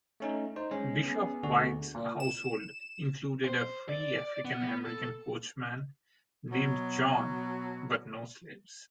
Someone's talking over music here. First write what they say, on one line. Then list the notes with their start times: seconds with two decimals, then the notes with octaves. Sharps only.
Bishop White's household included a free African American coachman, named John, but no slaves.
0.20 A3 C#4 D#4
0.56 D#4 C5
0.71 G#3 C#4
1.04 B3 G#4
1.43 D2 D3 F#4
1.95 A#2
2.20 E7
3.45 C5
3.89 D5
4.45 B3
4.85 A4
6.51 B2 F#3